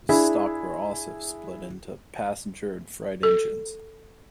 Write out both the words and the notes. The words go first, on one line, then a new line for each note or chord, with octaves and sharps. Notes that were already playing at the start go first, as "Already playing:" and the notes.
Stock were also split into passenger and freight engines.
D4 E4 G#4
A4